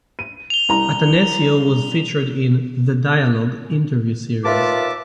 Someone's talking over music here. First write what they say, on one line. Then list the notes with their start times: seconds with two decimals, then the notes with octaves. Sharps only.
Attanasio was featured in "The Dialogue" interview series.
0.19 D#7
0.50 F7 G7
0.69 C2 A#5
4.44 D#2 F4 B4 E5 A5 D6